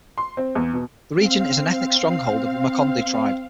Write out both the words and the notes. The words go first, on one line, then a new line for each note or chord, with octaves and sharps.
The region is an ethnic stronghold of the Makonde tribe.
C6
C4
E2
B2
C4 F5